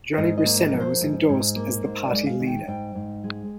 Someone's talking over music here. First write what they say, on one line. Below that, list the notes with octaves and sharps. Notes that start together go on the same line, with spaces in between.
Johnny Briceno was endorsed as the Party Leader.
G#2 D#5
D#5
A#3
D#5
F3
C5
G#2
G#2
A#3
G#2 C5
D5
G#3
F5
D#3
G5
G#2 G5
G#2
G#3